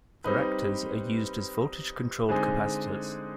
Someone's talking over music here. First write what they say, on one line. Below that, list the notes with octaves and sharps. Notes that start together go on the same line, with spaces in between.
Varactors are used as voltage-controlled capacitors.
G3 C4 D#4 B4
D3 G#3 C4 D#4 G#4